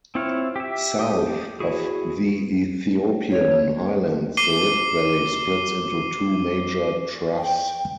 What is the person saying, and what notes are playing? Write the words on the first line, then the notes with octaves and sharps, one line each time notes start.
South of the Ethiopian highlands, the rift valley splits into two major troughs.
C4 E4 F4 C#5 F5
G4 E5
G4 D#6
E4 F#4 G#4
C#5
D6 C7 D#7 G7
G5